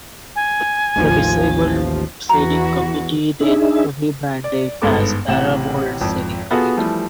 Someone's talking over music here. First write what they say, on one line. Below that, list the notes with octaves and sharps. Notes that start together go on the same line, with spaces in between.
The Disabled Sailing Committee then re-branded as the Para World Sailing Committee.
G#5
A1 D#2 F3
E2 E3 F#4 A#5
D4 D#4 G#4 E5
D5
G1 G#2 B3 A4 D6
A1 C3 F#5 E7
G#1 F2
B3 F4 F#4 G#4 A4
E3 F3 G3 A3